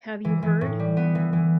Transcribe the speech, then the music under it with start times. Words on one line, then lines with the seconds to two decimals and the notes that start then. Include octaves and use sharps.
Have You Heard?
0.25 E3
0.43 E3
0.61 A2
0.80 G3
0.97 B3
1.15 E3
1.33 E3